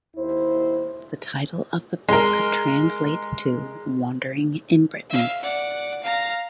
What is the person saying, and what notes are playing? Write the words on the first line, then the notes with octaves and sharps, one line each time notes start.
The title of the book translates to "Wandering in Britain".
D#2 E4 C5
G#3 A#4
E5 F5
D5 F#5
F5 A#5